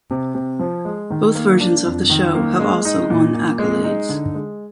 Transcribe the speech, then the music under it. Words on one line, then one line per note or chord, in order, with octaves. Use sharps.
Both versions of the show have also won accolades.
C3
C3
F3
G#3
D#3
A#3
D4
F2
D#3
A#3
G#3
D#4
A#2
A#2
G#3
D#4
D3
G#3